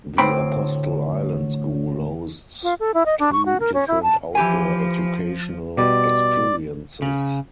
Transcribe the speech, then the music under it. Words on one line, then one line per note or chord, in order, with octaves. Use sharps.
The Apostle Island School hosts two different outdoor-educational experiences.
D2 A2 C4 B4 G5 B5
F4
A4
E4
D#5
D4
C#6
F#4
A#4
C#4
E4
A5
E3 F3 G4 G#5
B2 G3 D5
C#3